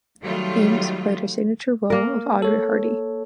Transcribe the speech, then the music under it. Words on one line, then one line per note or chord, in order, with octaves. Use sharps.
Ames played her signature role of Audrey Hardy.
D#3 F#3 G3 A3 F4
A#3 A#4
A4 C#5